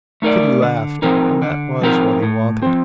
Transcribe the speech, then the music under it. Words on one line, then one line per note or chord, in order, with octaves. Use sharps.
Kitty laughed; and that was what he wanted.
A3 D#4 A#4 D5
D3
F3 C4 D#4 A#4
D3
F3 C4 D#4 A#4
A2
F3 C4